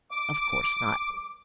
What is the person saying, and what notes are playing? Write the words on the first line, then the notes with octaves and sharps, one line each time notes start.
Of course not!
D6